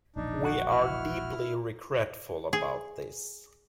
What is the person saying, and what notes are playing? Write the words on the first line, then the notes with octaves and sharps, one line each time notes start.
We are deeply regretful about this.
E1 A#1 D4 D#4
F#4
E4 F6
G#4